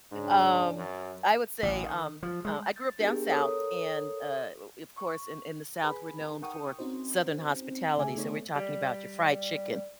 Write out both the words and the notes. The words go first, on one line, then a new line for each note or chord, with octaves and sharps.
um, I would say, um, uh, I grew up down south, and, uh, of course, in in the South, we're known for southern hospitality, so we're talking about your fried chicken,
F#1 G#2 C#4 D4
F#2
A1
D#3
F3
G#3
G6 A6
B3 D4 G4 G#4 A#4
A4 A#4 C#5 D#6
C#6
G#4 B4 G#5 B5
D#4
A#4 F#5 G5 C#6 D#6
C4 C#4 D#4 F#4 C5
C#3 A3 G#4 E5 G#5 D6
A3 B3 D#4 C#5 D5
G3